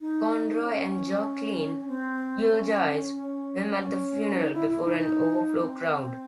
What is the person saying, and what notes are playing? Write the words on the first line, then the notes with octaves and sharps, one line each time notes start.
Conroy and Joe Klein eulogized him at the funeral, before an overflow crowd.
D#4
C#4
C4
C#4
C#4
D#4
E4
E4
D#4
D#4
C4